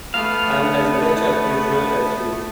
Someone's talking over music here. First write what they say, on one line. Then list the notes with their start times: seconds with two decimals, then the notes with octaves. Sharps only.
I'm as much a prisoner as you.
0.14 A3 B3 F5